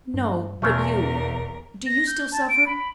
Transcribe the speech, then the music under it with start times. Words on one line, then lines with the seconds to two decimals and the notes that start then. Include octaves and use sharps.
"No, but you: do you still suffer?"
0.14 G2
0.62 E2 B2 A3 C#4 F4 A#4
1.86 A#6
2.07 G6
2.32 A5
2.49 D7
2.66 B5